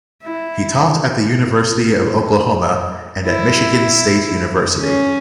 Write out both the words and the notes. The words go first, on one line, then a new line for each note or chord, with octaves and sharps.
He taught at the University of Oklahoma and at Michigan State University.
E4
E4
C#4